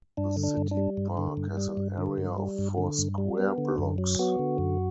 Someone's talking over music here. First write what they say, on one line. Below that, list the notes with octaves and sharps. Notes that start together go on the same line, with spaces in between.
The city park has an area of four square blocks.
G2 D4
D3
D4
G2
D4
G3
G2
D3
G2
G3
G2
D3
G2
G3
G2
D3
G2
G3
B3
D3
F#2
F#3
B3 F#4
D3
F#2